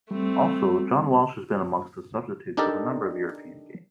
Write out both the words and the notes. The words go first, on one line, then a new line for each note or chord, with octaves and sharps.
Also, John Welsh has been amongst the substitutes for a number of European games.
G3 A3 C4
D4 D#4 G4 A4 A#4 D5